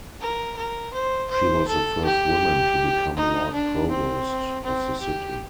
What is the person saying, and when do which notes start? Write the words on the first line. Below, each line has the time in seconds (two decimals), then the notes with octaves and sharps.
She was the first woman to become Lord Provost of the city.
0.21 A#4
0.56 A#4
0.94 C5
1.30 C5
1.68 A4
2.05 G4
3.16 D#4
3.54 D4
3.90 C4
4.63 C4
5.01 G4